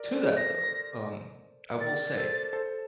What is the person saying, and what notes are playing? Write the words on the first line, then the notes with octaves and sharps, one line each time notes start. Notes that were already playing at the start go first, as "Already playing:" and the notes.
to that though, um, I will say,
Already playing: A#4 D5
A4 C5
A#6
A#4 D5 A6
A4 C5
A4 C5